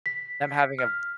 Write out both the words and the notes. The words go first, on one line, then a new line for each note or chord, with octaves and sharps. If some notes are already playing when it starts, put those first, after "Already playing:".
them having a
B6
F6